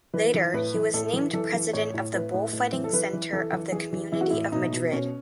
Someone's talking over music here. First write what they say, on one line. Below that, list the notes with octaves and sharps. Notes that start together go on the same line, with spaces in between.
Later he was named President of the Bullfighting Center of the Community of Madrid.
E3 B4
E3
A2 B4
E3
A2 A4
E3
E3 A4
E3
A2 C#5
A2
A2 B4
A2
A2
E3
A4
E3 B4
E3
E3 A4
E3
E3 G#4
E3
E3 E4
F#4
A2 E4
B2 D#4
B2
B2 C#4